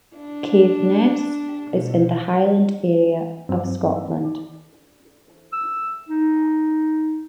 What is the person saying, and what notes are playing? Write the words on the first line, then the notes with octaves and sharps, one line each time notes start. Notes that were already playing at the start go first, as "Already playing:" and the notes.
Caithness is in the Highland area of Scotland.
D4
B2
G2 F#3 C4
E6
D#4